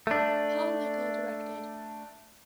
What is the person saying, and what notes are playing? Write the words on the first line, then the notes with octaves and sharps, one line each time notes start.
Paul Nickell directed.
A3 D4